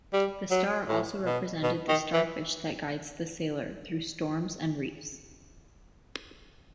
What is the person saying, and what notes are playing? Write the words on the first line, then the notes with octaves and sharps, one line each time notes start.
The star also represented the starfish that guides the sailor "through storms and reefs".
G3
F#3
A2
B2
B2
D#3
E3